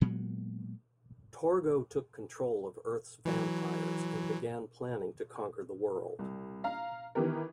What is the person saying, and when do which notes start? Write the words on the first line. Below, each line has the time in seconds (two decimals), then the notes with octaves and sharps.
Torgo took control of Earth's vampires, and began planning to conquer the world.
0.01 A#2 F#3 G#3 B3
3.25 E3 F#3
6.19 C2
6.64 F5 A#5
7.15 D#3 E3 B3 G4 A#4